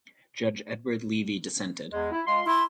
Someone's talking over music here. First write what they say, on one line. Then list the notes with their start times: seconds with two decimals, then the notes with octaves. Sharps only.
Judge Edward Leavy dissented.
1.92 E2 G#3
2.12 E4
2.27 G#3 F4 C6
2.46 E4 C6